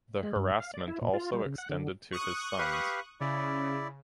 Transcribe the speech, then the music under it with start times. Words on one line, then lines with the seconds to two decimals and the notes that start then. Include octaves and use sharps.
The harassment also extended to his sons.
0.23 G#3
0.36 G2
0.60 F5
0.74 D5
0.88 E4
1.02 A#2
1.14 F4
1.33 G3
1.46 C#3
1.58 F#5
1.69 D3
2.13 C#6 D#6 F#6
2.58 G4 B4 F5
3.20 C#3 E4 D5